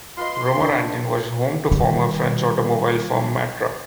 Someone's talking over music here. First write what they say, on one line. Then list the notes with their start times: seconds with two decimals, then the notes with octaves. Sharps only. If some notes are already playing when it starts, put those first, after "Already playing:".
Romorantin was home to former French automobile firm Matra.
0.17 F4 B4 D#5 C6
0.61 D4
1.71 D#3 G3